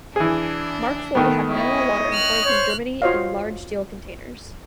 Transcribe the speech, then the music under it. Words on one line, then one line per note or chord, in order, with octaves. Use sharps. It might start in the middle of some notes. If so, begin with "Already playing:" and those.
Mark Foy had mineral water imported from Germany in large steel containers.
E3 D4 G#4
D#3 A3 B3
E4 C#5 D#5 D#6
F6 F#6
C5 C#5
F4 F#4 C5 C#5 D#5 F5